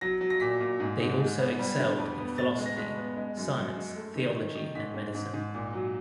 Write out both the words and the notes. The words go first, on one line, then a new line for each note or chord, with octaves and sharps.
They also excelled in philosophy, science, theology and medicine.
F#3 A#6
F#3
A#6
A#2 B6
A#2
G#2
G#2
G#2
B3
G3
D3
F2
B3
A2 A6
G#3
A#6
G#3 B6
B3
G#3
F#2
F#2
G#3
A3
D#3
D#3
D#3
G#2 B6
G#2
G#2
G#2
A#2
F#3